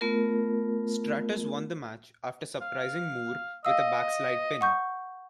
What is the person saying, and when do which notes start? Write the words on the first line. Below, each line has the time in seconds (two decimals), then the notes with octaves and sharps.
Stratus won the match after surprising Moore with a backslide pin.
0.01 A3 B3 F4 A#4
2.61 F5
3.65 D#5 F5 E6
4.61 F#5 C#6 G6